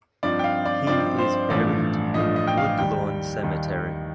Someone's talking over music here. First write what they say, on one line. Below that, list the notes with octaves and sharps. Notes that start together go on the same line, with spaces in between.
He is buried in Woodlawn Cemetery.
G2 F3 C4 D#4 D5
G5
F5
D5
G2 F3 C4 D#4 D5
C5
A1 G2 F3 A3 D5
A1 G2 F3 A3 D#5
D#5
G5
F5
D#2 D#3 G3 G5
D#2 D#3 G3